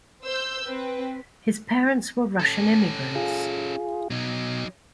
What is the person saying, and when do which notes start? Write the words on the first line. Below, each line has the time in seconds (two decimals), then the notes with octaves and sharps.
His parents were Russian immigrants.
0.23 C5 E6 G6
0.68 C4 B4
2.39 C#4 A4
3.15 F4 G#4
4.10 B2 F#3 D#4